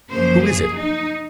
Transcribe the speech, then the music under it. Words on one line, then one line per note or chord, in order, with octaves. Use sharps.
"Who is it?"
F#2 C#3 F3 A#3 C5
G#4
D#4